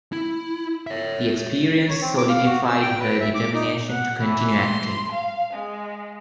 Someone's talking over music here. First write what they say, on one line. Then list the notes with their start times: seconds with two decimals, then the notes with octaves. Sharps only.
The experience solidified her determination to continue acting.
0.12 E4
0.87 C#5 E5
1.90 C#5
2.02 C4
2.17 D6
2.29 F5
2.46 F#4
2.69 E6
2.82 G5
3.00 B4
3.21 E5
3.35 D6
3.54 D#4
3.89 F#5
4.21 E3
4.56 C6
5.12 F5
5.53 G#3